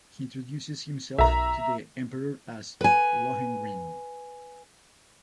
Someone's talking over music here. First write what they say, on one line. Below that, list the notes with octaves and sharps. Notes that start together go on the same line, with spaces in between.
He introduces himself to the emperor as Lohengrin.
B1 E5 A#5
B4 G#5